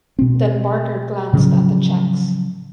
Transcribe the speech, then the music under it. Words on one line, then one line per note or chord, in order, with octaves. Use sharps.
Then Barker glanced at the checks.
B2 C4
A2 C#3 F3 F#3